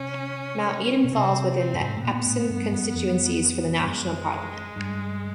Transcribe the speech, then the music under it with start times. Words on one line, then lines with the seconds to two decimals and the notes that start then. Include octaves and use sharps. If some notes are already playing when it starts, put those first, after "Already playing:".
Mount Eden falls within the Epsom constituencies for the national Parliament.
Already playing: C3 C#4
1.04 B2
1.13 C3 C4
1.58 C4
1.74 F#2
1.81 G2
1.89 G#2
1.97 A2
2.03 A#2 B3
2.26 A2
2.50 G2
2.72 F#2
2.94 F2
3.79 G2
3.85 F#2 G#3
4.76 G2